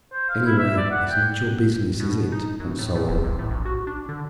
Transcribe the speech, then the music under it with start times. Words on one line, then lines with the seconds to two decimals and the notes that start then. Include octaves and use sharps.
"Anyway, it's not your business, is it?" And so on.
0.12 C5
0.29 F5
0.46 E4
0.59 E5
0.77 D5
0.91 F#5
1.11 G5
2.00 B2
2.32 D#4
2.60 F#2
2.78 A2
2.95 A2
3.09 D#1
3.24 C2
3.39 A2
3.51 A#1
3.65 F#4
3.87 D4
4.09 D3